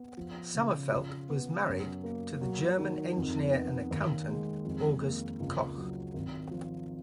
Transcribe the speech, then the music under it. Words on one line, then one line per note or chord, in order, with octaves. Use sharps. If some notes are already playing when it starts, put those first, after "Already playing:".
Sommerfeldt was married to the German engineer and accountant August Koch.
Already playing: B3
F3
C#3
F4
B3
F#2
A#3
F#3
D#3
F2
B3
D#2
G#3
F2
A#3
C#2
F#3
G#1
F3